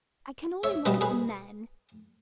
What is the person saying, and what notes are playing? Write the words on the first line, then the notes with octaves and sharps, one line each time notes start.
I can only look at the men.
C#5 E5
B2 G3 B4 D#5
G#4 B4